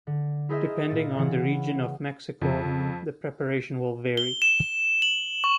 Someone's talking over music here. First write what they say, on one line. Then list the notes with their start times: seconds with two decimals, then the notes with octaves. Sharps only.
Depending on the region of Mexico, the preparation will vary.
0.07 D3
0.49 E4 G#4 A#4 C5 D#5 E5
0.90 A#2 A#3 A6
1.16 C#3 E3 F#5
2.41 F2 C#3
2.65 C#3
4.17 G7
4.42 E7
5.02 F#7
5.44 C#6